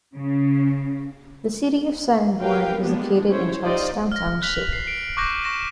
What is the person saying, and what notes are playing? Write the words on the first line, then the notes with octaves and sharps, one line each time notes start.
The city of Sanborn is located in Charlestown Township.
C#3
G4 A#4 B4 F5 G5
G#3 A#3 B3 D4 G4
C#4 E4 F#4 C5 C#5
D#4 F4 G4 C5 D5 D#5
F6 A#6
F6 F#6 B6 F7 F#7
C7
D7
C#6 D6 F#6 G6 A#6
C#6 A#6 E7